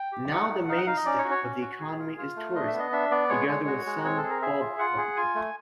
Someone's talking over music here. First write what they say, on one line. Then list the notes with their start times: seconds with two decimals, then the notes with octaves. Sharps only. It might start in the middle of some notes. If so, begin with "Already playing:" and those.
Now the mainstay of the economy is tourism, together with some bulb farming.
Already playing: G5
0.12 G4
0.31 D#4 F#5
0.50 D#4
0.68 D#4 F5
0.77 F#5
0.87 D#4 F5
0.97 D#5
1.06 C#4 D5
1.18 C#5
1.24 F#4
1.31 C#5
1.43 C#4
1.61 F#4
1.80 G#4
1.99 F4
2.18 F4
2.36 A3
2.55 D4 D#5
2.67 E5
2.74 B3
2.79 D#5
2.92 D4 E5
3.11 B3 D5
3.29 G#3 C#5
3.48 G#3
3.67 F#4
3.86 G#3
4.04 C4 C#5
4.17 A4
4.23 G#4
4.30 A#4
4.42 G#4 E5
4.60 F4
4.79 F4 F#5
4.98 G#4
5.16 F4 G#5
5.35 A3